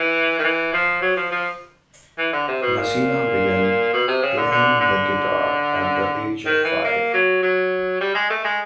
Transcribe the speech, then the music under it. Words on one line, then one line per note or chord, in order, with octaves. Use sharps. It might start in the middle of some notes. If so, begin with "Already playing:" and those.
Messina began playing the guitar at the age of five.
Already playing: E3
D#3
E3
F3
F#3
F3
F3
E3
D3
C3
B2
A#2
B2
C3
C#3
D3
D3
D3
D#3
E3
A#3
F#3
F#3
G3
G#3
A3
G#3